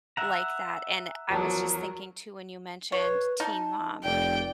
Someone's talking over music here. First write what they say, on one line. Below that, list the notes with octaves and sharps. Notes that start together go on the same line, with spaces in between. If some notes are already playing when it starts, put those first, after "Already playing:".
like that, and I was just thinking too when you mentioned Teen Mom,
E5 F#5 A#5
E2 F3 F#3 A#4 A5
B4 C#5
D#4 A5
F1 D5 G5